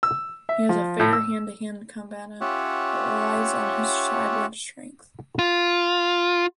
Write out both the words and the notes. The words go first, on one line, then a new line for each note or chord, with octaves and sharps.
He is a fair hand-to-hand combatant, but relies on his cyborg strength.
E6
E5
F3
A2
E6
C#4 F4 G4 C#5 E5 F#5
F4